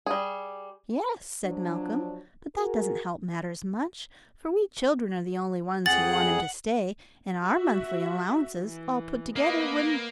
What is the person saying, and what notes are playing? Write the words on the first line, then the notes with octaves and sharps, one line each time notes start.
"Yes," said Malcolm, "but that doesn't help matters much, for we children are the only ones who want him to stay, and our monthly allowances, all put together, wouldn't be enough."
G3 G#4
F3 F#3 D4
F#4 G#4 A#4
F2 G#4 F#5 A6 F#7
F#4 E5
E3
A#3 B3 B4 D#5